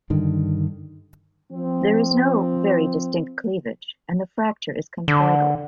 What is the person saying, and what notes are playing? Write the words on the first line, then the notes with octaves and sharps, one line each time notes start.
There is no very distinct cleavage and the fracture is conchoidal.
G2 D3 D#3
F3 C4
D3